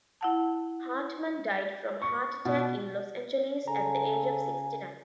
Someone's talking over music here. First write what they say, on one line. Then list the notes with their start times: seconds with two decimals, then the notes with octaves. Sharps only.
Hartman died from a heart attack in Los Angeles at the age of sixty-nine.
0.21 E4 F#5 A5
2.02 C#6
2.45 B2
3.68 C#3 A4 G#5 A#5